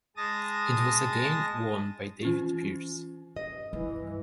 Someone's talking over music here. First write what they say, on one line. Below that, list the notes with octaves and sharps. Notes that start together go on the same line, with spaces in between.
It was again won by David Pearce.
G#3 A5 D#6 A#6
E3 C#4 F4
D#5
G2 E3